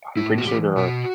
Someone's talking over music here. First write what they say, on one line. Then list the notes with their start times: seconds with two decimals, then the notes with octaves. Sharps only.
I'm pretty sure there are
0.17 A2 E4
0.38 F#4
0.47 E3 G4
0.77 B2 F#4